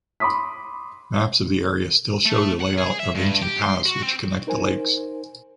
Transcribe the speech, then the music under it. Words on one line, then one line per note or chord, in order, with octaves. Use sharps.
Maps of the area still show the layout of ancient paths which connect the lakes.
B5 C6 D6 D#6 B6
A3
F#5
G#4
E5
G2
G4
C6
F#4
C4
D#4 A#4 C5 G#5